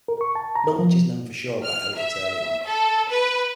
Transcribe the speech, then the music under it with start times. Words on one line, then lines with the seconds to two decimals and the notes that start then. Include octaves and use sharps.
Not much is known for sure about Elliott's early life.
0.08 A#4
0.21 C#6
0.35 A5
0.55 A#5
0.67 A#4
0.79 F3
1.64 F6
1.97 E5
2.66 A4
3.10 B4